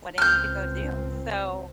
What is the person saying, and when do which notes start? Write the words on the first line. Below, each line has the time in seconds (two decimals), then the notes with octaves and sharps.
what I need to go do. So
0.18 C#2 C4 F6 G6